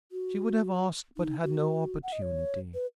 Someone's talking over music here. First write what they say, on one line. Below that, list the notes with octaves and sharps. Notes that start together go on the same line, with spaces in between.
She would have asked, but had no opportunity.
F#4
D#4
F#4
F#5
D#5
C#5
B4